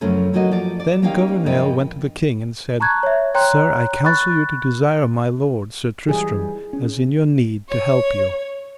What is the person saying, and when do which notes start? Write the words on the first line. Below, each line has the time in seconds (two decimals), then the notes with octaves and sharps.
Then Gouvernail went to the king and said: Sir, I counsel you to desire my lord, Sir Tristram, as in your need to help you.
0.01 F#2 C#3 F3 A3 C#4
0.33 F3 F#3 A#3 D#4 F#4 D#5
0.51 F3 D5
0.80 D5
1.02 G3 A#3 C#4 D#4 F5 G5
1.46 G2 A#2 F3 A#3 D#5 G5
2.80 A5 A#5 C#6 F#6 G#6
3.03 C#5 E5
3.34 C#5 G5 A#5 C6 F#6
4.05 B5 C#6 F#6 A6
6.09 E3 F3 G3 G#4
6.73 C#4
7.69 C#5